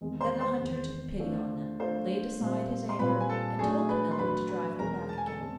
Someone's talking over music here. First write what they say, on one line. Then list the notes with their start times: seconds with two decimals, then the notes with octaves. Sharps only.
Then the Hunter took pity on them, laid aside his anger, and told the miller to drive them back again.
0.01 E2 C3 D#3 G#3
0.21 C5 C6
0.40 C5 C6
0.60 E2 C3 D#3 G#3
1.20 A3 D4 F4 A4
1.80 A3 D4 F4 A4 C5 C6
2.40 A#2 G3 C4 F4
2.89 C6
2.99 A#2 G3 C4 F4 B4 B5
3.20 G#5
3.29 A4 A5
3.59 F#3 A3 D4 G#4 G#5
3.89 B4 B5
4.11 C6
4.18 F#3 A3 D4 B4 B5
4.49 B4 B5
4.79 E2 B2 G#3 C#4 A#4 A#5
5.09 A5
5.18 G#5
5.27 A4 A5
5.39 B2 G#3 C#4